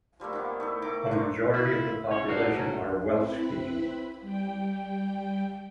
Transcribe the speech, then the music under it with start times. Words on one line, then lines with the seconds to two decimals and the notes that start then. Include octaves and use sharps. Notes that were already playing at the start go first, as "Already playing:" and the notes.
A majority of the population are Welsh-speaking.
0.20 F3 G3 A3 A#3
0.33 D#3 B3
0.60 A3 D#4 E4
0.82 D#3 A3 A#5 D6
1.11 D4 A#4 C5 C#5
1.52 E4 F4
2.11 G#2 C#3 C5 C#5
2.28 D#4 F#4 A4 A#4 C5 D5
2.54 F#3 C#4 A4
3.16 C4 E4 B4 B5
4.21 G3 G5